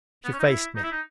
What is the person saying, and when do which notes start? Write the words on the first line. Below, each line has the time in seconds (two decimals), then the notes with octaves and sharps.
She faced me.
0.25 B3
0.32 C#4
0.39 D#4
0.47 E4
0.75 D#4
0.83 E4
0.92 D#4